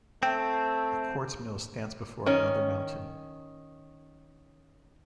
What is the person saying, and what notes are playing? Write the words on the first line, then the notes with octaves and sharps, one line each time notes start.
A quartz mill stands before another mountain.
A3 C4 G5
D#3 C#4